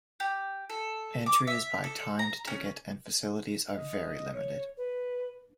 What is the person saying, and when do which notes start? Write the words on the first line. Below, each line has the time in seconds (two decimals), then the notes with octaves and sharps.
Entry is by timed ticket, and facilities are very limited.
0.20 G4
0.70 A4
1.26 D6
1.47 E5
1.84 A4
2.19 A#5
2.47 C#4
3.74 D#5
4.33 C#5
4.77 B4